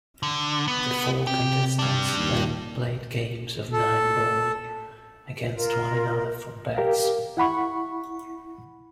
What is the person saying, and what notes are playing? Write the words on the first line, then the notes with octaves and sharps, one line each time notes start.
The four contestants then played games of nine ball against one another for bets.
D3
B3
C3 G4
G3 D4
D#2
A4
F4 A#4
G4 A#4 F5
E4 F#5 B5 C#6